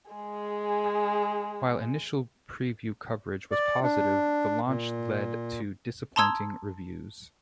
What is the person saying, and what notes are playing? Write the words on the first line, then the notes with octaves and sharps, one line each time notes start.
While initial preview coverage was positive the launch lead to disappointing reviews.
G#3 G#4
D5
D4
A#2
A5 A#5 C6 D#6 E6 G#6